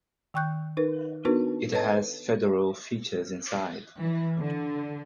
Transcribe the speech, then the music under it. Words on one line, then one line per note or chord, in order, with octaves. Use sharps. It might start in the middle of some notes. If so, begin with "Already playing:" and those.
It has Federal features inside.
D#3 G5 C#6 F#6 G6
D#4 A#4 B4
B3 D4 D#4 F#4 A#4 B4
A4 B4 C#5 D#5 A5
E3
D3